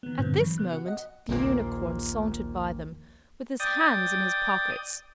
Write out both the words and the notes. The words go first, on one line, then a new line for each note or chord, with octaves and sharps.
At this moment the Unicorn sauntered by them, with his hands in his pockets.
D#3 B3
G2 A#2 D3 B3 C4
E3 F#3
C3 B3 F#6
F#4
D#5 F#5
A#1 D#2 A#2 A#3
D5 G5 D#6